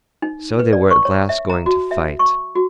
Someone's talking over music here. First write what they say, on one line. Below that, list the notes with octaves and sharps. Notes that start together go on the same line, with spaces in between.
So they were at last going to fight.
D#4
B4
D5
C#6
C#5
E5
A#5
F#4
E5
C#6
F#4